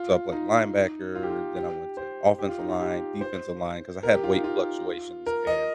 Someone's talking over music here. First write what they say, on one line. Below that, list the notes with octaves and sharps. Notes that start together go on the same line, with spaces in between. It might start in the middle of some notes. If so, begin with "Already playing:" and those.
so, I played linebacker, then I went to offensive line, defensive line, 'cause I had weight fluctuations, and
Already playing: F4
D#4
F4
G4
F4
G4
C5
G4
F4
D#4
F4
G4
C5
A#4
G4
F4
D#4
F4
A#4
D#5